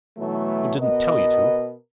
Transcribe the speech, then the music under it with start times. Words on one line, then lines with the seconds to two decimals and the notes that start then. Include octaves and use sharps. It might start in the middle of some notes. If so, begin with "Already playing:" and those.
I didn't tell you to.
0.18 B2 E3 F#3 A3
0.78 B2 B3 A#4 D#5